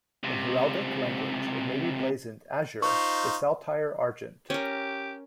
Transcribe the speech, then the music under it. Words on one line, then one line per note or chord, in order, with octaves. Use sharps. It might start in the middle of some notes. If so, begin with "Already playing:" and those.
In heraldic language, it may be blazoned "azure", a saltire "argent".
C#2 C3
D#4 F4 C5 C#6
C#4 G4 A#4